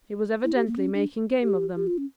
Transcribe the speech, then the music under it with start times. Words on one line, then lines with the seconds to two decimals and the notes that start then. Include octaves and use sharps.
He was evidently making game of them.
0.44 E4
0.55 G4
0.66 A#3
0.77 C#4
0.94 D4
1.43 G4
1.76 G4
1.87 F4
1.98 C#4